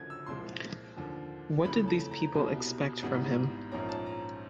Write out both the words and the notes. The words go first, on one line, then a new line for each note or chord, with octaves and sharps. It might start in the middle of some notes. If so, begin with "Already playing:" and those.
What did these people expect from him.
Already playing: F#1 F#2 D3 F3 G#6
E6
C2 A#2 F3 G#3 C6
D#2 D3 F3
F2 C#3 E3 A3 B5
A5
A#5
C2 B2 G3
G#1 G#2 E3 G3 B3
A#1 G#2 F3 A#3 C#4 A#5
A5
A#5